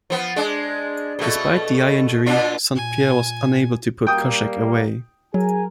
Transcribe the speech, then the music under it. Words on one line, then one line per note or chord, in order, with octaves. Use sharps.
Despite the eye injury, St-Pierre was unable to put Koscheck away.
F3 B3
G#3 D4
B2 A3
A#2 D4 F4
A#2 G#5
G3 A#3 G5 D#6
F#3 G#4 A#4 G#5